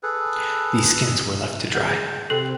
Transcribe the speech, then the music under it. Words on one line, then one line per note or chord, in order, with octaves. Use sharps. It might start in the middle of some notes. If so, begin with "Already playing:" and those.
These skins were left to dry.
G#4 A4 B4
G#4 F#5 G6
C3 C4 A4 C7